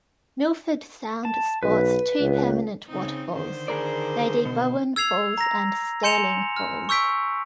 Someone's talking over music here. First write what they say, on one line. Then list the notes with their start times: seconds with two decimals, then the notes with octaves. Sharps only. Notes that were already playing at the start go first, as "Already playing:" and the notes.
Milford Sound sports two permanent waterfalls, Lady Bowen Falls and Stirling Falls.
1.25 A5
1.63 B1 B4
2.20 C#2
2.87 C#3 C4 D#4
3.31 D3 D#3 C5
3.68 G#4 A#4 D5
4.45 B2
4.96 E6 G#6 C7 F7
5.38 A#5 A#6
6.03 G#5 C6 G6 C#7 E7 F7
6.56 F6
6.89 C#6 E6 G6 B6 D7